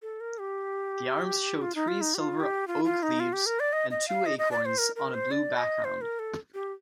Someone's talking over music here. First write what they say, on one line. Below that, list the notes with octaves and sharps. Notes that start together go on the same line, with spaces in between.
The arms show three silver oak leaves and two acorns on a blue background.
A4
A#4
G4
F4
D#4
F4
D#4
G4
F4
G4
F4
F4
D#4
F4
G4
A#4
D5
D#5
D#5
F5
D#5
D#5
D5
C5
A#4
A#4
C5
D5
D#5
C5
A#4
A4
G4